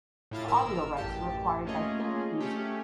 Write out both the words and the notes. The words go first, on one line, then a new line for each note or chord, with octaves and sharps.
The audio rights were acquired by Think Music.
A2 E4 F4 A6
G1 A#4 E6
A1 F#2 G4 A5
A3 A#3 C#4 F4 G#4 D#5
A3 C#4 G4